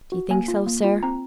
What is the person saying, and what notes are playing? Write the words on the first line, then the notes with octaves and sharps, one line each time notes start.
'Do you think so, sir?'
F#4
A#3 G#5
F4
A#3
F4
C4 A#5